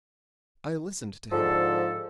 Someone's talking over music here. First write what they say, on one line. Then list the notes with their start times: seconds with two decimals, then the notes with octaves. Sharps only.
I listened to him.
1.32 G#2 D3 F3 A4